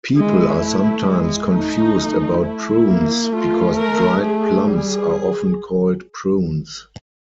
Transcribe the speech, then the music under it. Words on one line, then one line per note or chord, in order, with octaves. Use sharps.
People are sometimes confused about prunes because dried plums are often called prunes.
G#3 E4
A3
G#3
A3 D#4
A3 E4
A#3
A3 F4
A#4
A3 G#4
G3 G#4